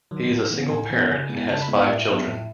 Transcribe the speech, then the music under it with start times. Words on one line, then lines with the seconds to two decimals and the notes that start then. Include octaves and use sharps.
He is a single parent and has five children.
0.11 D#3 F#3
0.30 A2
0.51 E3 B3
0.70 A2 G#5
0.90 E3 B3
1.09 C#3
1.29 G#3 B3 E4
1.49 C#3 A5
1.62 B5
1.68 G#3 B3 E4
1.75 F#5
1.82 D#5
1.88 A2 E5
2.07 F#3 B3
2.28 A2